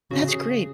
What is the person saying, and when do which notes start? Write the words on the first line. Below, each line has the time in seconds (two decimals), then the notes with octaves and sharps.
That's great.
0.11 C#3 F#4
0.28 G#4